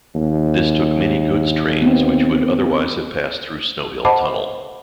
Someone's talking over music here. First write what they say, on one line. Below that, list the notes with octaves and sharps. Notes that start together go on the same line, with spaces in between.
This took many goods trains which would otherwise have passed through Snow Hill tunnel.
D#2
B3 C4
C5 D#5 F#5 A5 B5 D6